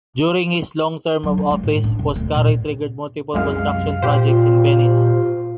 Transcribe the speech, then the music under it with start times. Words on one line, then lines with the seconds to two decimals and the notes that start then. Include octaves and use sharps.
During his long term of office Foscari triggered multiple construction projects in Venice.
1.23 F#3
1.38 D#3
1.51 G#3
1.63 A2
1.84 D4
1.99 E1
2.16 D2
2.34 A#2
3.34 C2 F#2 G#3 F5
4.02 A#2 G4 C5
4.25 F4